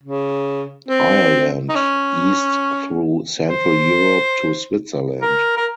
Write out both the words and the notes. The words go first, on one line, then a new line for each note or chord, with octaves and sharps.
Ireland east through Central Europe to Switzerland.
C#3
C4
D#4
C#4
C5
A#4
A#4